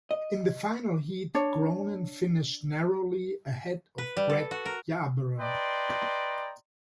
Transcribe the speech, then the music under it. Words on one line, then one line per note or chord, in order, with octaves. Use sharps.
In the final heat, Gronen finished narrowly ahead of Bret Yarborough.
D#5
D4 C#5
B4
G3
A4
F#4
A#4
B4 D5 D#5 G5 A#5 C6